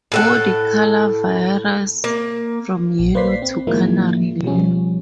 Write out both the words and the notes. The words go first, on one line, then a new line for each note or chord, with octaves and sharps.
Body color varies from yellow to canary yellow.
A2 A4 F#5
A#3
A#1
A#3 B4 C5 D5 B6 C7
C4
A2 D#3 F3 G#3 A#3 E4
B2 F3 G3 C#4